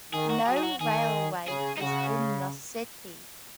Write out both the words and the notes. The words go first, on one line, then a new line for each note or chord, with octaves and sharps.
No railway is in the city.
D#3 G#4
F#4
F#3 G#4
G#4
F#4
D#3 G#4
C#3 G#4
D#4
C#3 F#4